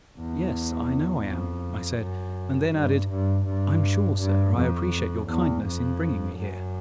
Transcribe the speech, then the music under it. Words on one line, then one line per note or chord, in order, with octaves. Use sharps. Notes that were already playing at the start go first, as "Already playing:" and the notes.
"Yes, I know I am," I said, and then added: "I'm sure, sir, I appreciate your kindness in bringing me here."
E2
F2
F#2
G2
G2
G2
G2
F2
E2
F2
F#2